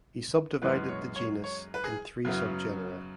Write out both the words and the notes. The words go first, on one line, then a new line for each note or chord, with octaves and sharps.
He subdivided the genus in three subgenera.
F#2 E3 G#3 B3 B4
C#5
C#5
C#5
B4
G#4
F#2 C#3 F#3 B3 E4